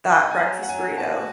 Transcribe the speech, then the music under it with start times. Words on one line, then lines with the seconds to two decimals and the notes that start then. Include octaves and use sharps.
that breakfast burrito?
0.10 D#4 F#5
0.31 G#5
0.39 F#3 F#5
0.63 F#5
0.68 F#3 G#5
0.97 F#4 A5